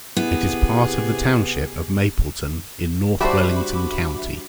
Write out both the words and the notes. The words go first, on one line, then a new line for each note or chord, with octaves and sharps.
It is a part of the township of Mapleton in North Wellington County.
C3 B3 E4 G4 G#4
G3 D4 F#4 C5 E5 B5 D6